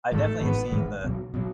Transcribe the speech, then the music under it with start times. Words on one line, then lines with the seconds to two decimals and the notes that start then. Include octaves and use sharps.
I definitely have seen the
0.12 A1 G#2 D#3 G#3 A3
0.41 A1 G#2 D#3 G#3 B3
0.72 A1 G#2 D#3 G#3
1.02 C#2 B2 F#3
1.34 B2 F#3